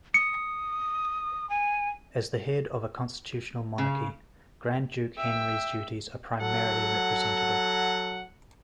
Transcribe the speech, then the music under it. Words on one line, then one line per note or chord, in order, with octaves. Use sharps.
As the head of a constitutional monarchy, Grand Duke Henri's duties are primarily representative.
D#6 C#7
G#5
C#3
E5 G5
F#3 A4 F#5